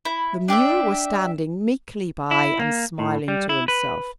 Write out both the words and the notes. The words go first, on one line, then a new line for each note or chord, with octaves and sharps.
The mule was standing meekly by and smiling to himself.
E4
D4 G4 D5 E5
E4
A#3
A2
G3
E4
B4